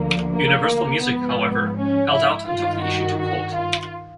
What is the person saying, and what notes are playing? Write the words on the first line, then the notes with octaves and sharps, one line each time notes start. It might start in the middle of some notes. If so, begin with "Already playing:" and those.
Universal Music, however, held out and took the issue to court.
Already playing: D2 D3 F3 A#3
A#3
G#2 F3 B3
C#4
E4
G2 D#3 F4
F#4
F#4
F4